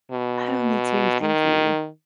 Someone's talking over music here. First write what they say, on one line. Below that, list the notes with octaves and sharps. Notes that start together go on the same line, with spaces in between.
Oh, me too, thank you.
B2
D#3